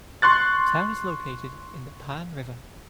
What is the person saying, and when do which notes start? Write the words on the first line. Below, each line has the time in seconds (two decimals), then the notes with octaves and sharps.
The town is located in the Pan River.
0.22 C6 C#6 F#6 A6